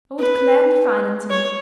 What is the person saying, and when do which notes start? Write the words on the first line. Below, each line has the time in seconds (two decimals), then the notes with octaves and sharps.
I would gladly finance him.
0.19 B4
1.30 C#5